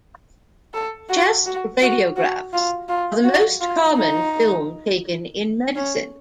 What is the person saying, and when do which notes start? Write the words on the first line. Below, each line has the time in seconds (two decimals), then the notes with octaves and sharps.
Chest radiographs are the most common film taken in medicine.
0.74 A4
1.09 F#4
1.46 F#4
1.82 F#4
2.16 F#4
2.53 F4
2.89 F4
3.24 F#4
3.61 F4
3.96 D#4
5.76 C#4